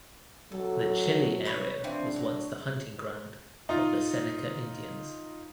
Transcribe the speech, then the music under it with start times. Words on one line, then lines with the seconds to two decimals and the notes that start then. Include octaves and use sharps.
The Chili area was once the hunting ground of the Seneca Indians.
0.52 F#3 A4
1.45 D#4 B4 C#5
1.84 E3 F3 C4 D4
2.16 F#3
3.69 D#4 F4